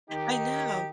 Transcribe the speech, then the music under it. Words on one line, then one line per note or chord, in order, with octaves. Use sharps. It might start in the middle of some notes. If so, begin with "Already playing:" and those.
I know,
D#3 D#4 G4